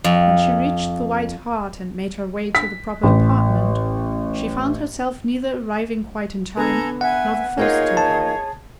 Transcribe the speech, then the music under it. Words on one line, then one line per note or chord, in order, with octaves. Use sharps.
When she reached the White Hart, and made her way to the proper apartment, she found herself neither arriving quite in time, nor the first to arrive.
F2
B6
A1
D3 B3 A4 G#5 A#5
B4 E5 F#5 G#5
A#3 D#4 F4 G#4 C#5
A5